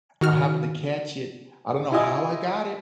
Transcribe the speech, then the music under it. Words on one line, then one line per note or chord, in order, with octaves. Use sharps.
I happened to catch it, I don't know how I got it
D#3 F#4 F6
E4 F4 G4 D#5 G#5 D#6